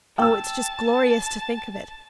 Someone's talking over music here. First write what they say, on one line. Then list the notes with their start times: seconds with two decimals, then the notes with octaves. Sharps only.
Oh, it's just glorious to think of it.
0.19 G5 A5 E6